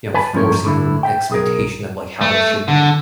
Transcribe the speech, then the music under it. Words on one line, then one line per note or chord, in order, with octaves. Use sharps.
you know, forcing a expectation of, like, how they should be,
B4 G#5 A5 B5
G2 F3 C#4 A#4 C#5
A2 D3 E4
E5 G5
B1 G#4 A#4
A3
D3